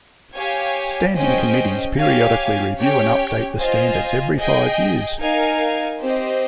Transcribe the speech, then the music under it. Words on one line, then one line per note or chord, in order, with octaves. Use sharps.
Standing committees periodically review and update the standards every five years.
G4 C#5 F5 G#5
C#4 G#4 C5 D#5 G5
G4 C#5 F5 G#5
C#4 G4 C#5 G5
F4 C5 D#5 G#5
G#4 D#5 G5
D#4 A#4 F5 G#5
C4 G4 C5 D#5